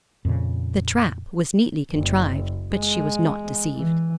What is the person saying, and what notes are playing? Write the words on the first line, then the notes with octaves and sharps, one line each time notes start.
The trap was neatly contrived, but she was not deceived.
F2 A#2 C#3
F#1
G#3
E3